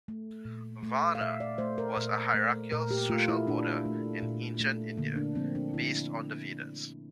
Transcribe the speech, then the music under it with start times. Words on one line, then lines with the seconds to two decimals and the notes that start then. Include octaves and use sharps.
Varna was a hierarchical social order in ancient India, based on the Vedas.
0.08 A3
0.45 A#2
0.83 A3
1.15 F5
1.21 A#2 E5
1.40 D5
1.58 A3 C5
1.78 A#4
1.97 A#2
2.34 A3
2.72 A#2 A#4
2.91 G4
3.09 A3 F4
3.28 E4
3.47 A#2 D4
3.85 A3
4.22 A#2
4.61 A3
4.97 D3 A#3
5.16 D4
5.35 F3 A#3 C4
5.55 D4
5.74 D3 E4
5.81 D4